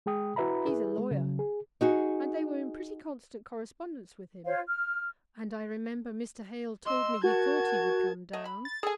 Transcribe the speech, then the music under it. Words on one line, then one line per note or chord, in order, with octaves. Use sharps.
He's a lawyer, and they were in pretty constant correspondence with him; and I remember Mr. Hale told me he thought he would come down.
G#3 G#4 G5 D#6
E4 F#4 B4 E5 A#5 B5
E4 G#4 B4
G#3
C#3 F#3
G#4
D#4 F#4 G#4
F4 C5 C#5 F5
F6
D#5 C6 E6
F#4 A#4 A5 G#6
A3 D#5
B5
A6
G#4 A4 G#5